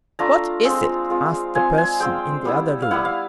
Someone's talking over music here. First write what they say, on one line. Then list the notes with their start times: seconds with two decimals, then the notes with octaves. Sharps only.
"What is it?" asked the person in the other room.
0.19 A3 D4 F4 A#5
0.64 G#3 C4 F4
1.10 G#3 C4 F4
1.55 G#3 C4 F4 G#5
1.78 G#5
2.00 G#3 C4 F4 G5
2.45 G3 B3 E4
2.82 F5
2.91 G3 B3 E4 F#5
3.05 F5